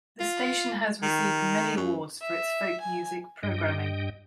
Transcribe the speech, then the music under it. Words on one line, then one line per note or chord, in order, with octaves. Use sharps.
The station has received many awards for its folk music programming.
F4
D#3
F#2
E5
G#5
G2 D#5 G5